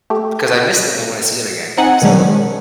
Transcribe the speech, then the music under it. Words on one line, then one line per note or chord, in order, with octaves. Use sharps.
because I miss them; I wanna see 'em again. So,
A3 G4
C4 D#4 F#5 G#5
B2 D#3 F#3 G#3 C#4 D4